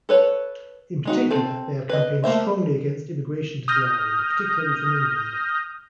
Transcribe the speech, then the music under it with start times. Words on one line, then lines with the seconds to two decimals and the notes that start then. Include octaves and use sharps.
In particular, they have campaigned strongly against immigration to the island, particularly from England.
0.09 A4 B4 C#5
1.05 G#3 D#4 F#4
1.31 C4 A4
1.89 B4 D#5
2.24 A3 A#3 C5 E5
3.68 D#6 F6 G6 A#6